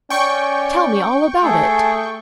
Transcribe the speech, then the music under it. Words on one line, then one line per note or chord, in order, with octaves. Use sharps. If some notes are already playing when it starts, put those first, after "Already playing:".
Tell me all about it.
C#4 D5 G5 C#6
A3 G#4 A4